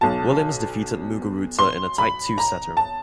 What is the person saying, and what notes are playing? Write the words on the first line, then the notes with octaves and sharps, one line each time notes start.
Williams defeated Muguruza in a tight two-setter.
B1 B2 A5
C6
B5
A#5
A5